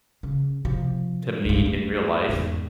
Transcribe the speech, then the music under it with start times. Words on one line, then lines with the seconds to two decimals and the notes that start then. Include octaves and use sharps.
to meet in real life.
0.23 C#3
0.65 C3 F3
1.45 C2 G2
1.66 A3
2.29 E2 G#2